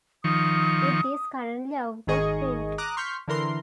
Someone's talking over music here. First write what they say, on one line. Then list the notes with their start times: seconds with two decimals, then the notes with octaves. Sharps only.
It is currently out of print.
0.24 D#3 F3 C#6 D#6
2.07 G#1 D#3 G#4 D#5 C#6
2.78 A#5 D6 D#6 F#6
2.97 C6 C#6 F6 G6 B6
3.28 D3 E3 A#4 C6